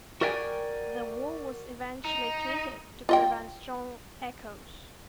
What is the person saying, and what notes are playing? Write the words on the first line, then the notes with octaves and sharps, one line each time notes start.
The wall was eventually treated to prevent strong echoes.
F#4 A#4 D5 E5 G5 G#5
D#4
F4 D#5 G5